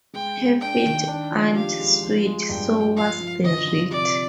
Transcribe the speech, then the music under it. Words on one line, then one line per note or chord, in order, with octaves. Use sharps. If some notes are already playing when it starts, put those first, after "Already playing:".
Her feet ain't sweet so what's the reet?
G#3 G5
G#3
D4 G5
D#3
D4
F3
G4 F5
G#3
F3
G#3
G2 G5
G#3
F3 F5
F3
D3 D#5
F3
C3 D5